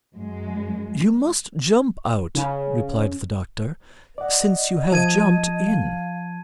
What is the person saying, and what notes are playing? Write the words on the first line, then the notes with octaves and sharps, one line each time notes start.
"You must jump out," replied the doctor, "since you have jumped in."
F#2 G#3
C#3
D5 D#5 F#5
F3 A5 G#6 D#7
F5